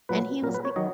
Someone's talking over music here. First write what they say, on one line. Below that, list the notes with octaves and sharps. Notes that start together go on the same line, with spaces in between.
And he was like
A#2 F#3 B4
A#2 F#3 A#4
B4
C#5
D#3 F#3 D#5